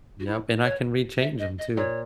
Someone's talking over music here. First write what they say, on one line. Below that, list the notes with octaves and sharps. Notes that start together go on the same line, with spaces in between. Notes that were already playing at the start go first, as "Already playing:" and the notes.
Yep, and I can rechange ‘em too.
F#4
E4
C#5
E5
D#5
D#5
A#2 C#5